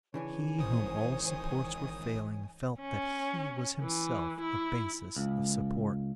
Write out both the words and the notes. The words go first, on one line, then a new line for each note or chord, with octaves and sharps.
He whom all supports were failing felt that he was himself a basis of support.
C#3 E3 D4 C#5 G#5
G#1 D#3 C5 D#6
C#4
E3
E4
C#2